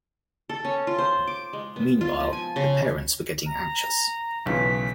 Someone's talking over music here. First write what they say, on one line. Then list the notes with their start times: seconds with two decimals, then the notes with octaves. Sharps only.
Meanwhile the parents were getting anxious.
0.49 A4
0.65 C#4
0.87 F4
0.98 C5
1.27 D6
1.53 G#3
1.76 B3
2.01 F4
2.20 F3
2.33 G#5
2.56 C#3
3.46 A#5
4.46 B1 C#3 E3 B6